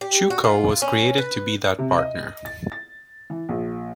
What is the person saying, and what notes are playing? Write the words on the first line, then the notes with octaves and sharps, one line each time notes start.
Chewco was created to be that partner.
G4
F#4
F4
C#4
B4
C3
D#5
A6
A6
E3
A#1